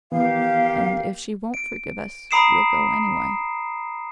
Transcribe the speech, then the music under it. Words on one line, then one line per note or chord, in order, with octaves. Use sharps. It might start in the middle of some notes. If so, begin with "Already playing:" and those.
And if she won't forgive us, we'll go, anyway.
E3 A#3 B3 G4 F5
D7
A#5 B5 D#6 C7 D7 E7